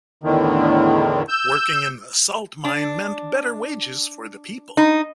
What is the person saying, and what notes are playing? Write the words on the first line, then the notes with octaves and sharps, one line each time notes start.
Working in the salt-mine meant better wages for the people.
E2 A2 D3 D#3
E6 G6
D4
D#4